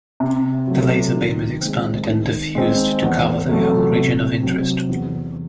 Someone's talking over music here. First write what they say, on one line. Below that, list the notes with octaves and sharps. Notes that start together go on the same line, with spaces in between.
The laser beam is expanded and diffused to cover the whole region of interest.
C3
F#3 A3
D#3
G#3 C4
D#3
G#3 C4 D#4
E2
C3 F#3 A3
C3
F#3 C4
E2